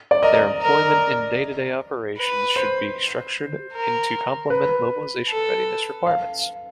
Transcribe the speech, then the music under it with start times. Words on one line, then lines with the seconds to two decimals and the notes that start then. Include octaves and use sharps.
Their employment in day-to-day operations should be structured to complement mobilization readiness requirements.
0.11 D5
0.23 A#4 D#5
0.61 A#4
2.17 B4
2.56 C5
3.73 A#4
4.50 B4
5.28 A4
6.07 F5